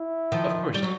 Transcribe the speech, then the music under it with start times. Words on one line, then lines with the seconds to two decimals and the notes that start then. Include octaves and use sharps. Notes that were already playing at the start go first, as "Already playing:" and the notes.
Of course,
Already playing: E4
0.32 D#3 F3
0.74 G3
0.82 F#3